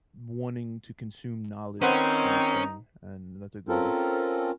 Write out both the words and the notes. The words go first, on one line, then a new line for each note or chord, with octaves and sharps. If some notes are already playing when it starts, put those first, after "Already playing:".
wanting to consume knowledge kind of thing, and that's a good
D#3 C4 C#4 D#4 B4 C5 F#5
C4 C#4 F4 A4 A#4